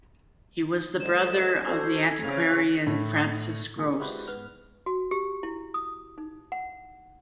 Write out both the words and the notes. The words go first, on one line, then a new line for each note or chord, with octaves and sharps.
He was the brother of the antiquarian Francis Grose.
D3 F#3 G#3 C5 E7
D4 F#4 A4 C5 G#6
D2 C#3 C#4 C5 F6
A2
C#2 A#2 F4 G#4 C#7
G#3 E4 F#4 G4 B4 C5
G#2 B3 B4 F6
F#4
G4
E4
D#6
D#4
F#5